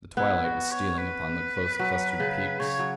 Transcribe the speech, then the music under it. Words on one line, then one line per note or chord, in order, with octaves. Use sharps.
The twilight was stealing upon the close-clustered peaks.
B3 E4
F#4
C#5
B4
F#3
C#3
C#3 C#5
F#3